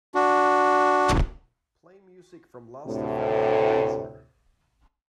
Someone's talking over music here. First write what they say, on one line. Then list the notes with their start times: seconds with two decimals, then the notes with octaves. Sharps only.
Play music from Lastfm and Deezer.
0.15 D4 F#4
2.86 D2 A2 C3